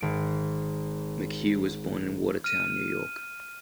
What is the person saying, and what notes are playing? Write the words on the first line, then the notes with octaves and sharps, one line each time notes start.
McHugh was born in Watertown, New York.
G#1 D7
F6 D#7